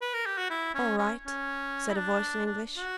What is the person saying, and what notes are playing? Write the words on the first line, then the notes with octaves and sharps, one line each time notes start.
"All right," said a voice in English.
B4
A#4
G4
F#4
E4
C#4
C#4
C#4
E4
D4
D4
F#4